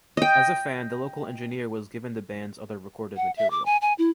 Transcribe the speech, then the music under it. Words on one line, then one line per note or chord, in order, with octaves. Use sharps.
As a fan the local engineer was given the band's other recorded material.
D#5 G5
F#5
E5
D6
G#5
G#5
E4